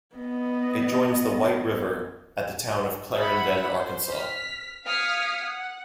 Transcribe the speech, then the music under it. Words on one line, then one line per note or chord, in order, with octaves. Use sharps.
It joins the White River at the town of Clarendon, Arkansas.
B3 D#5
E5 F#5 B5
C5
F6 B6
F5 D#6 F6 G#6 B6 C#7
F#5